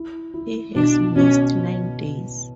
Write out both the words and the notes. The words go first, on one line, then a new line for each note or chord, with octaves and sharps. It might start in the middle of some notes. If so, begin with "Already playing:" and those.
He has missed nine days.
Already playing: E4
E4
B2 D4
B2 C#4